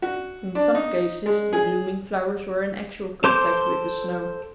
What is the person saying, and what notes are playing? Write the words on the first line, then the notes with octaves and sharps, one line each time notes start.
In some cases the blooming flowers were in actual contact with the snow.
F#4
D4
D#4
G#3
G#4
A4 C5 C6 D6 G6